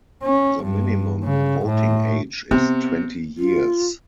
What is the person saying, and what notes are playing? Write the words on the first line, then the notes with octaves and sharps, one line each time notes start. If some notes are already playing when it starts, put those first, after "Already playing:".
The minimum voting age is twenty years.
C#4
G2
C#3
A2
C3 B3
F4